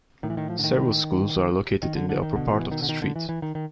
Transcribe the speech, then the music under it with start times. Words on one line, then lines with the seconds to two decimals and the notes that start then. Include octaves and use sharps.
Several schools are located in the upper part of the street.
0.23 A2 D#3
0.30 E3
0.37 D#3
0.50 F3
0.59 D3
0.64 D#3
1.83 D#3
1.96 D3
2.09 D3
2.22 D#3
2.35 B2 D3
2.53 E3
2.71 D#3
2.82 D3
2.89 D#3
3.02 D3
3.16 E3
3.29 E3
3.42 D#3
3.55 D#3